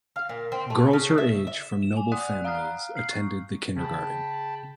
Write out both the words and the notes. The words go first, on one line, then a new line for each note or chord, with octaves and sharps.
Girls her age from noble families attended the kindergarten.
F5
A#2
C4
A3
C#3
E5
E5
E7
G#5
D5 F#5 D#6 F#6
F5 A#5 D#6 F6 F#6
F6 C7
C#6
C#3 G5 A5 B5